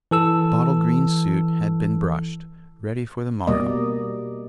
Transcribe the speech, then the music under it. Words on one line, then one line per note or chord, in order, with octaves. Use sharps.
The bottle-green suit had been brushed, ready for the morrow.
E3 A4 E6
B2 G3 A#3 D5 D#5